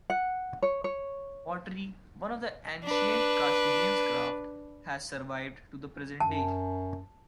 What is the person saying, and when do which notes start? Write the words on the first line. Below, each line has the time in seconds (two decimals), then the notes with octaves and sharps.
Pottery, one of the ancient Kashubians crafts, has survived to the present day.
0.10 F#5
0.63 C#5
0.84 C#5
2.84 D4 B4
6.20 F#2 A5